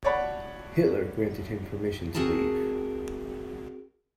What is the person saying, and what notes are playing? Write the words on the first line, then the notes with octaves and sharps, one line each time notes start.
Hitler granted him permission to leave.
C#5 D5 F#5 A5 B5
C4 F#4 G#4 A#4 A5